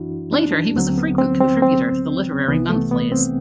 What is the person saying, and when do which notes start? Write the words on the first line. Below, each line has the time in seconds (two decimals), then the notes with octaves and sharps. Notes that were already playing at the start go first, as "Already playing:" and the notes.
Later he was a frequent contributor to the literary monthlies.
Already playing: F#2 E3 D4 E4 F#4
0.33 D4
0.76 D2 D3 F#3 C4
0.98 B3
1.18 C4
1.40 C4
1.62 C4
2.48 C2 C3 E3 B3
2.69 A3
2.91 B3
3.12 C4